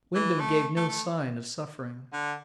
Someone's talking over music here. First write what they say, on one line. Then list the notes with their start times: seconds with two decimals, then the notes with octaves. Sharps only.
Wyndham gave no sign of suffering.
0.15 E3
0.40 A3
0.76 A3
0.89 A3
2.13 D3